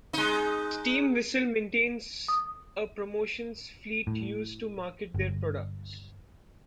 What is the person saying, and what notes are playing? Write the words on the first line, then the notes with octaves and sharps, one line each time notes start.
Steam Whistle maintains a promotions fleet used to market their products.
G#3 D#4
D#6
A2
G1